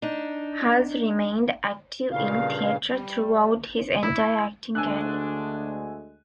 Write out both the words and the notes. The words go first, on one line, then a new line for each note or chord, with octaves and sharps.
Hulce remained active in theater throughout his entire acting career.
D4 D#4
G2 A#2 C#3 F5
G3
E4
D2 G#3 D4 G#5 E6 F#6